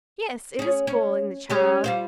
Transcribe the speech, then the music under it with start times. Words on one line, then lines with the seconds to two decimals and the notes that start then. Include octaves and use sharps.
'Yes; it is spoiling the child.
0.59 C#4 G#4
0.87 C#4
1.50 G#3 C#4 G4
1.84 G3 F4 C5